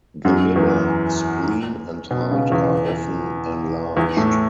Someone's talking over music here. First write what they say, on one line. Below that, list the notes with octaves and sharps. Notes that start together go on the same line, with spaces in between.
The liver, spleen and heart are often enlarged.
F#2 F#3
E2 E3
B2
C#3
E2 E3
E2 E3
A2 A3